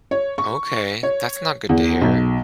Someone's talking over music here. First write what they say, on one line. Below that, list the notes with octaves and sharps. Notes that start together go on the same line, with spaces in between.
Okay, that's not good to hear.
C#5
C#6
C#5
E2
B1